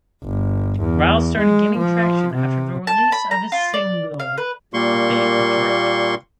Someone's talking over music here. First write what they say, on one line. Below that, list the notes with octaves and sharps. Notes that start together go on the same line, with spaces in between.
Ryles started gaining traction after the release of his single "Big Drip".
G1
E2
G#3
F3
C3
A5
B5
A#5
F4
D5
F5
B4
A#2 G3 A#3 C6 C#6